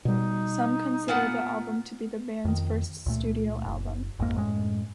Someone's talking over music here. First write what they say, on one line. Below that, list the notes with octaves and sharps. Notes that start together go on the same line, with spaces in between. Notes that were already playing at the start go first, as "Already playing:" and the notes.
Some consider the album to be the band's first studio album.
B2 G3 D#4
A#2 B3 F#5
F2 D#3
C#2 A#2 A3
F#1
G#1 F2 G#2 A#3
F#2 A2 G#3